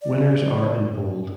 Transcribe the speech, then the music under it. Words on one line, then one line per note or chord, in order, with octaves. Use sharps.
Winners are in bold.
D5